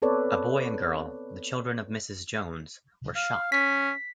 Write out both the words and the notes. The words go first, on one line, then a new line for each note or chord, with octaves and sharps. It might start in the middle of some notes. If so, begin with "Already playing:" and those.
A boy and girl, the children of Mrs Jones, were shot.
B3 C4 A4 B4 C#5 D5
F5
C#4 B6